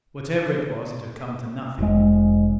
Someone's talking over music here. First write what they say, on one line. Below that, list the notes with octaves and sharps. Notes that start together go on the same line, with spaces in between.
Whatever it was, it had come to nothing.
F1 G#3